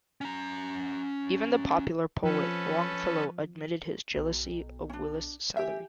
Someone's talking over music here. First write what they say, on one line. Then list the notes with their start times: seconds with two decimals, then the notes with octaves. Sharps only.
Even the popular poet Longfellow admitted his jealousy of Willis's salary.
0.21 C#4 A#5
2.23 F3 C#4 A4 B4
4.16 B1
4.90 C#4 D4
5.57 G4 E5 G#5